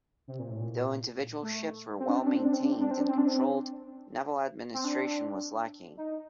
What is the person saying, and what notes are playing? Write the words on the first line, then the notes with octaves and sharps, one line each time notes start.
Though individual ships were well-maintained and controlled, naval administration was lacking.
C3
A#2
A2
A#2
A3
C4
D4
C4
D4
C4
D4
C4
D4
C4
D4
C4
D4
C4
D4
C4
C4
D4
D#4